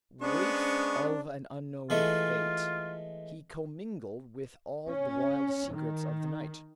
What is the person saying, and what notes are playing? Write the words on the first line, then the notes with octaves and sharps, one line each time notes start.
Waif of an unknown fate, he commingled with all the wild secrets of the night.
G#3 B3 C#4 D4 C5 C#6
E3 G#3 A3 F4
C#4
D#3